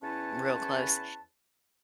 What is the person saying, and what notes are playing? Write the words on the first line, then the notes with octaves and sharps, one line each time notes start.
real close,
E2 C#4 E4 B4 C#5 A5